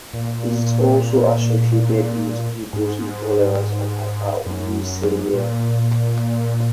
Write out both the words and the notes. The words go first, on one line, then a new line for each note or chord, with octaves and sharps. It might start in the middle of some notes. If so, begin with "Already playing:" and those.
It is also associated with glucose intolerance and hyperuricemia.
A#2
G#2
F#2
A#2